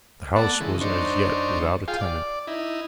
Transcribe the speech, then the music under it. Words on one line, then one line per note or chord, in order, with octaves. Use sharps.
The house was as yet without a tenant.
A3 B3 D5 F#5 A5
C#3 E3 G#3
F#2 D4 D#4 C5 C#6
F4 G#4 F5 G5
D5
D#4 E4